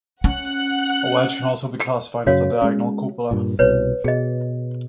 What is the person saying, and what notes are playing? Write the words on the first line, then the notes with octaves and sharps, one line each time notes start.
A wedge can also be classified as a digonal cupola.
C#4 F#5 F#6
F#2 C#3 F#4 C#5 F5
G#3 C#4
G2 A#2
C2 B2 B4 C#5
B2 G#4 D#5